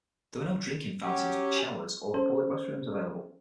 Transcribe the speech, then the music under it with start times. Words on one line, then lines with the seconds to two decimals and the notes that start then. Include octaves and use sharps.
There are no drinking fountains, showers or public restrooms available.
1.03 F#3 C#4 G4 F#5
2.14 C#4 A4 C5